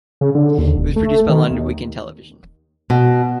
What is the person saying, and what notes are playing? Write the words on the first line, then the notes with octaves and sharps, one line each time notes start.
It was produced by London Weekend Television.
C#3
D3
D#2
E1
A3
D#3
D#2
B2